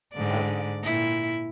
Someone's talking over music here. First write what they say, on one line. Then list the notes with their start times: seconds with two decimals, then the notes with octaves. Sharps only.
Um, uh
0.14 G#2 D3 D5
0.84 A#2 E4